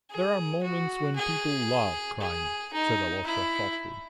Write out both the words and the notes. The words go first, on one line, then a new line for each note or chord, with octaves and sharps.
"There are moments when people love crime," said Alyosha thoughtfully.
G#4
F#4
G#4
G#4
D#4
E4